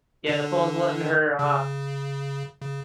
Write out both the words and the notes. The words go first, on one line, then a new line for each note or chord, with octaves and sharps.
yeah, the phone's letting her, uh,
D3 D4
C#3
C#3